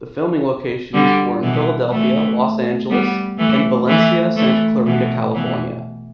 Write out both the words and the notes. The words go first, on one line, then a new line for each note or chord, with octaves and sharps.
The filming locations were in Philadelphia, Los Angeles, and Valencia, Santa Clarita, California.
D3 G3
B2 E3
E3 A3
G3 B3
E3 A3
E3 A3
E3 A3
B2 E3
B2 E3